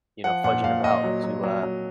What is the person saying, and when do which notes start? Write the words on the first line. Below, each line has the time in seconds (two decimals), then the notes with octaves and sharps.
you know, fudging about to, uh,
0.24 F3 F#5
0.44 A#2 F#5
0.64 A#2 F5
0.84 A#2 D#5
1.04 F#3
1.24 F#3
1.43 F#3
1.63 F#3